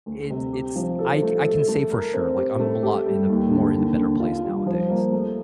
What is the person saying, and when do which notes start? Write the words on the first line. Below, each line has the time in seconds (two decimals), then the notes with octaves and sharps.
it's it's I c I can say for sure, like, I'm a lot in a more in a better place nowadays.
0.06 D2
0.30 C3
0.53 G4
0.76 F3
0.99 A4
1.22 A3
1.45 A4
1.68 A3
1.91 A#4
2.14 C4
2.37 G4
2.60 A3
2.83 G4
3.06 G3
3.29 D#2
3.51 D3
3.74 D#2
3.98 D3
4.20 F4
4.44 G3
4.66 F3
4.90 A#3
5.12 A3